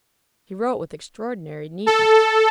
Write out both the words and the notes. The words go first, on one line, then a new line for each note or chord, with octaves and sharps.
He wrote with extraordinary neatness.
A4